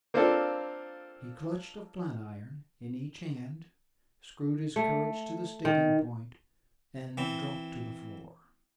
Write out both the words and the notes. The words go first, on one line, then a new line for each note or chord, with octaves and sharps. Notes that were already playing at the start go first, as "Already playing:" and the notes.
He clutched a flat-iron in each hand, screwed his courage to the sticking point, and dropped to the floor.
A#3 C4 D4 F4 A4
A3
D#3
E3 C4